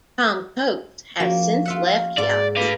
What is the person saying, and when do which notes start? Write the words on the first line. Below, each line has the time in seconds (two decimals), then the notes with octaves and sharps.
Tom Coates has since left Yahoo.
1.20 F3 A#3 C#4 F#4
1.65 F4 E5 F#5
2.18 G#2 D5
2.56 A3 B4 F5 D6